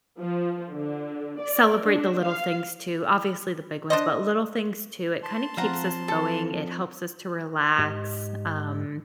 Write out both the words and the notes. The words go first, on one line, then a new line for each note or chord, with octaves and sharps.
celebrate the little things, too, obviously, the big ones, but little things, too, it kinda keeps us going, it helps us to relax, um,
F3
D3
D5
D4
F5
D4 C5 D#5
A5 C6
F3 C4 F4 F#5 A#5
A4
G#2 G4 D#5